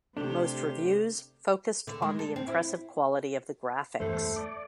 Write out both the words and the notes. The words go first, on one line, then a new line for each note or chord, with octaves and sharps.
Most reviews focused on the impressive quality of the graphics.
C3 A3 D4 G4
D3
G#3
A4
C4
E4
E2 G2 A3 C5
D5